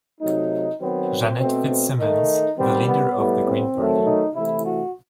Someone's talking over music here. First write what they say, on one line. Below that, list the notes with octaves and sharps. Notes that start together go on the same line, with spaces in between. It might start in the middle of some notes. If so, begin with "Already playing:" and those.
Jeanette Fitzsimons, the leader of the Green party.
C3 F#3 A3 D#4
D#3 F#3 B3 C4
B2 A3 C4
D#3 A3 D#4
D#3 G3 B3 C4
B3
A2 G3 B3
C4
D#3 F#3 A3
D#4
C3 E3 A3 E4
F#4